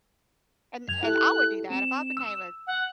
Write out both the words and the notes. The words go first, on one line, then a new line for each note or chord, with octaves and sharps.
And and I would do that if I became a
F#2 G#6 F7
E4 G4 A4 F#6
C4 E7
E6
F#5